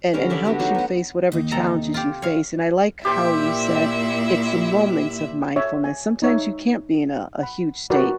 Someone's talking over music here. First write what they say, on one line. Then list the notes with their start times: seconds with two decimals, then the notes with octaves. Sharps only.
and and helps you face whatever challenges you face, and I like how you said, "It's the moments of mindfulness." Sometimes you can't be in a a huge state
0.13 D3 G3 C#4 A#4
0.30 D5 E5 A5
0.45 B3 D4 F#4 G4
0.60 F#3 A3 D4 D#4
0.75 B3 F#5
1.32 D#2 D#4
1.52 C3 A4 A#5
1.94 F4 G4
2.22 C#5 F5
3.05 A#2 E4 G4 C5 E5 G5
5.56 C#5 E5
5.84 G#5
6.22 D#4 C#5 E5
7.39 F#5 B5
7.90 F#4 A#4 B4 D5